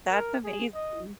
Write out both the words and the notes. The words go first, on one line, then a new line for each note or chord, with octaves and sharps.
That's amazing.
A#4
G#4
D#5